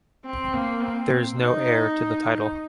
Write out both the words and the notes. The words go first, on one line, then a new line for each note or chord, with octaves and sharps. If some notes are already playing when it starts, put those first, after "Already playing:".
There is no heir to the title.
C4
A#3
C4
D#4